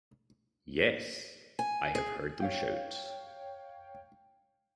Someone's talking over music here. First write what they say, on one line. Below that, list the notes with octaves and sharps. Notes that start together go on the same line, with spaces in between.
Yes, I have heard them shout.
G#5
G#4
C#5 F5 G5